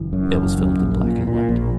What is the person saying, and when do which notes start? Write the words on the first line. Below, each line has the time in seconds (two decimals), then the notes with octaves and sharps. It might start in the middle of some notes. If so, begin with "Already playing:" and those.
It was filmed in black and white.
Already playing: F#1 E3
0.13 F#2
0.35 F#1
0.58 F#2
0.82 A#1
1.03 A#2
1.27 A#2
1.49 A#1